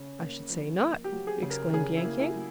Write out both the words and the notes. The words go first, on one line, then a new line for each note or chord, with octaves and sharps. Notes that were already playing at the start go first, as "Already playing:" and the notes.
"I should say not!" exclaimed Yank-Yank.
Already playing: C#3 C#4
A#3
F3
A#3
G4
F#3
G#4
C#3
A#4
C#3 G#4
E4
A#3
E4
F#3